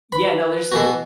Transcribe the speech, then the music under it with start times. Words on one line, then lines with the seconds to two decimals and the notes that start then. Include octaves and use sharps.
Yeah, no, there's a
0.12 B4 B5
0.72 B2 E3 F#4